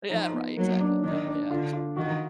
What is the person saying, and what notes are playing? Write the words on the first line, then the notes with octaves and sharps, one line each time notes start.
Yeah, right, exactly no, yeah.
F3 D#4
B3
F#3 A#3
D4
D#3 D4
D4
D3 F4
F4
D#3 F#4